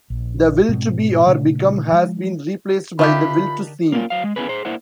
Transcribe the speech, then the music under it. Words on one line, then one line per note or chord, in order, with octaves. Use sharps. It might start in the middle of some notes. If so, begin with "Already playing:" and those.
The will to be or become has been replaced by the will to seem.
A#1
G#2 B2 G#3 C4
A#2 C#3 A3 D4
F3 G#3
D3 D#3 D4 F4 G4 E5 B5 C#6
A#3 C#4 E4 F4
F#3 F5
G#3
B3 C#4 D#4 E4 G#4 B4
G#4 C5
A#3 D4 E4 C5 F#5